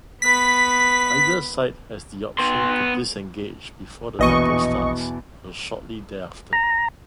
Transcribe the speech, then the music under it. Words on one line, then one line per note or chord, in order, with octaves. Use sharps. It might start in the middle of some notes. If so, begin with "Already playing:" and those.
Either side has the option to disengage before the battle starts or shortly thereafter.
B3 B4 B6
B3 C6
A#1 E2 B2 E3 D#5 C#6
A#5